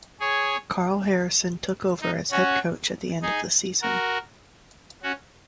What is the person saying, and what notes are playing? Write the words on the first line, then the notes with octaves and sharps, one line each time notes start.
Karl Harrison took over as head coach at the end of the season.
G#4 C#5
D#4
C#4 F#4
D#4 G#4
F#4 A#4
C#4 F#4